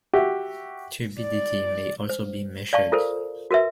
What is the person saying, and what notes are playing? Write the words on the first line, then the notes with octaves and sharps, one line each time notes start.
Turbidity may also be measured.
F#4 G4 E5
D5
C5
D5 F5 A5 C#6
F4 A4 A#4 C5
F#4 A#4 B4 E5